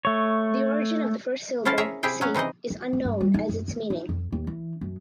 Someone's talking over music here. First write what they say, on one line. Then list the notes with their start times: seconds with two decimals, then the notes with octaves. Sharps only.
The origin of the first syllable "si" is unknown as is its meaning.
0.05 A3 C#5
1.65 F3 C#4 E4 F4 A4 A5
1.78 G#4 A#4 C#5 E5
2.03 C3 E4 G4 G#4 G5
2.21 F#3 C#4
2.34 C3 E3 D#4 G#4 D#5
2.70 E3
2.93 D2
3.05 G2
3.21 G3
3.34 D#4
3.49 F#2
3.68 D#3
3.90 D#4
4.09 F2
4.32 D#2
4.47 E3
4.81 F#2